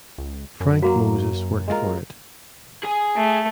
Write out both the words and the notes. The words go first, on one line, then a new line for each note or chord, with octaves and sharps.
Frank Moses worked for it.
C#2
F#2
F#3 A#3 F#4
G#3 F4 A#4
G#4 G#5
A3